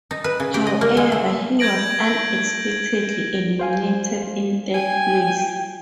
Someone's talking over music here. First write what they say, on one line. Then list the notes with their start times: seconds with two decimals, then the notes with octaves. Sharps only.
However, he was unexpectedly eliminated in third place.
0.11 D#4
0.24 B4
0.40 C#3
0.54 G4
0.67 D#5
0.81 A#3
0.97 G#3
1.12 A3
1.59 G6 G#6 A#6 D7 F#7
3.59 C5 F5 G#5
4.74 G5 G#5